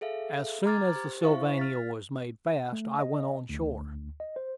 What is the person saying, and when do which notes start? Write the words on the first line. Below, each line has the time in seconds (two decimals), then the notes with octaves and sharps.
As soon as the Sylvania was made fast I went on shore.
0.01 G#4 A4 E5 F5
0.66 A#5 D6 F6 G#6 A6
0.92 G4 C5
1.21 E4 C5 E5 F5 C#6
1.58 F6 A6 B6
2.73 A3
2.99 D#5
3.49 D2
4.20 D#5
4.36 C5